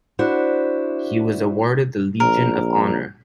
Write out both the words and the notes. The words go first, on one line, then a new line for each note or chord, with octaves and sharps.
He was awarded the Legion of Honor.
D4 E4 F#4 C5
A#1 A#4